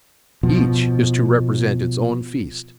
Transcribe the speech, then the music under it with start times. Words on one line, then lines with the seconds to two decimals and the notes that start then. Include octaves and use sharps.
Each is to represent its own feast.
0.43 B2 F3